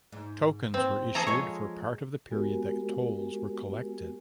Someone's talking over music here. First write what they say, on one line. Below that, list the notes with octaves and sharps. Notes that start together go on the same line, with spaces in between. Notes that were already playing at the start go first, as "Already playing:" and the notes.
Tokens were issued for part of the period that tolls were collected.
G#2
C4
G#4 A4 A#5
F3 G#3 C#5 D#5
G#3 B3 F#4 G4 A#4 G#5